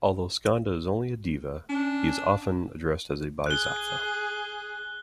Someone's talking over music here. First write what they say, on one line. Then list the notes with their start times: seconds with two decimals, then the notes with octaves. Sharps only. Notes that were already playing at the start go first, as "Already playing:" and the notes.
Although Skanda is only a deva, he is very often addressed as a bodhisattva.
1.69 C#4 D4
3.46 G#4 F#6 G7